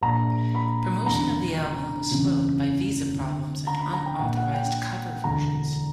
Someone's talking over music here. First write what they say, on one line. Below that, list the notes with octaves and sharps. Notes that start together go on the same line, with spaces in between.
Promotion of the album was slowed by visa problems and unauthorized cover versions.
A#1 A#2 A#5
B5
E1 E2 D3 A#5
F#1 E2 C#3 E3
D2 D3
A#5
B5
A#5
G5
A#1 A#2 F#5
F#5
G5
E1 D2 D3 A#5